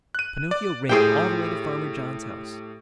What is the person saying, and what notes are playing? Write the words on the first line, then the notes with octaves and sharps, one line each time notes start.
Pinocchio ran all the way to Farmer John's house.
F#6 D#7
D5
A2 G4 G#4 C5 G5